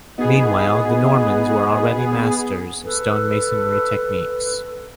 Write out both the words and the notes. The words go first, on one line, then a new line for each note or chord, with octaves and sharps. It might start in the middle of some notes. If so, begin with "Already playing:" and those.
Meanwhile, the Normans were already masters of stonemasonry techniques.
B3 D#4 F#4 G#4 D#5
A4 B4